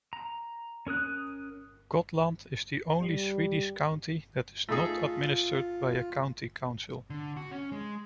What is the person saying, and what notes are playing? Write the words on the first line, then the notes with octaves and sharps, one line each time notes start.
Gotland is the only Swedish county that is not administered by a county council.
A#5
C#4 A#4 D#6 F#6
G3
A3 D#4 F4 G#4
D3
F#4
C#4
G#3